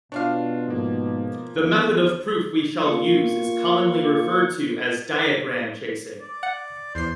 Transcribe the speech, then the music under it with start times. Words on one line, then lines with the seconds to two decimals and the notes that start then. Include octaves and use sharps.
The method of proof we shall use is commonly referred to as diagram chasing.
0.12 B2 D4 F4 C#5 D5 F5
0.68 G#2 F3 A#3
1.59 E2
2.86 A#3 F4 C#6
6.21 D5
6.43 F#5
6.95 E2 C5 C7